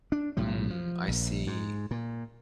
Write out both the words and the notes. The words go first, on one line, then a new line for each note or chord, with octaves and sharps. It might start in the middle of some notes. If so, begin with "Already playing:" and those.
Mm. I see.
D4
B1 A2 F3 G3
F3
A#1
G#2
A#2